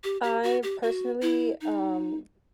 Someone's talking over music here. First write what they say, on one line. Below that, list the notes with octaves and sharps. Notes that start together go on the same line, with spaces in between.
I personally, um
G4
G4
F#4
G4
F#4
E4
D#4